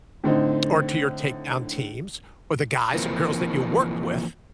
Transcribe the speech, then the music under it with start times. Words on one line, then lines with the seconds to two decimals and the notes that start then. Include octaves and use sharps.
or to your takedown teams, or the guys and girls that you worked with
0.24 A2 D3 C4 D#4
2.94 E3 F3 A#3 C4